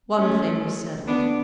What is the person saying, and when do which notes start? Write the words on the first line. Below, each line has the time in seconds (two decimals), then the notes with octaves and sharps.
One thing was settled.
0.17 A3 C#4
1.07 B3 D4